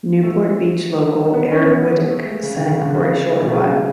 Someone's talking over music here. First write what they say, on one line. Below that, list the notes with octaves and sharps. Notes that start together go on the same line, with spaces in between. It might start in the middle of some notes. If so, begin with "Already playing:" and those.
Newport Beach local Eric Whittick sang for a short while.
A3
B3
C#4
B3
B3
A3
G#3
C#3
D3
C#3
D3
C#3
B2
C#3